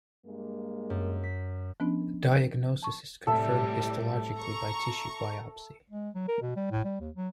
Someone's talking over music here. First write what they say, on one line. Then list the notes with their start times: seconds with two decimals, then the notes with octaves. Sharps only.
Diagnosis is confirmed histologically by tissue biopsy.
0.26 G2 G#3 A#3
0.90 F#2
1.23 B6
1.80 F3 B3 C#4 D4
2.83 A5 C#6
3.27 A2 C3 G3 A4 E5
4.36 A#5 C#6
5.90 G#3
6.14 F#3
6.28 A#4
6.42 B2
6.56 G3
6.71 A2
6.85 G3
7.00 D#2
7.16 F#3